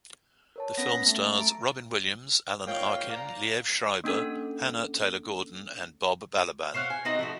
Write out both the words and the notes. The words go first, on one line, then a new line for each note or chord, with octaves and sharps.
The film stars Robin Williams, Alan Arkin, Liev Schreiber, Hannah Taylor-Gordon, and Bob Balaban.
A#4 C#5 A5
B3 C#4 A#6
A3
A#5 D7
G#2 A#3 F4 C#5 G5
D5 F5 A#5
A#3 C#4 D4 A4
C5 C#5 F5 F#5
G#5
C4 D#4 F#4 D#5
F3 A3 F#4